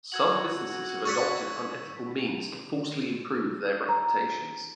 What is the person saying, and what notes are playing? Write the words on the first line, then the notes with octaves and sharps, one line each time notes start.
Some businesses have adopted unethical means to falsely improve their reputations.
F#4 E6 G#6 F#7
C#5 D5 F#5 C#6 B6
A#5